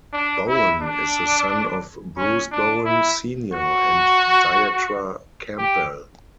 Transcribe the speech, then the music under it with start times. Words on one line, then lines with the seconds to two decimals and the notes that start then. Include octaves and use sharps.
Bowen is the son of Bruce Bowen Senior and Dietra Campbell.
0.13 D4
0.48 E4
0.82 D4
2.17 C#4
2.52 D4
2.86 E4
3.54 F#4
5.58 G4